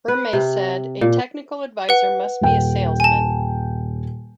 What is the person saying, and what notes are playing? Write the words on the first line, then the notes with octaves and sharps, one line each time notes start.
Ermey said A technical advisor must be a salesman.
B4
C3
A#2
B4 F#5
D#1 G5
G#5 A5